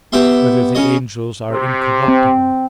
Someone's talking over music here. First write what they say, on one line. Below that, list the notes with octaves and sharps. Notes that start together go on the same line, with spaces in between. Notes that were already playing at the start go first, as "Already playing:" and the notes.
Whether the Angels Are Incorruptible?
B3 G4 E5 C6
C#3 C#5 D#5
C3
C4